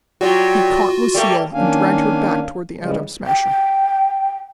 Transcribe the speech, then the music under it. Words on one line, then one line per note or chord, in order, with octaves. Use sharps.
He caught Lucille and dragged her back toward the Atom Smasher.
F#3 G3 F4 F#4
G3 A3 A#3
D#3 A#3 C#4 D4 F5 G#5
C#3 E3 G3 G#3
G5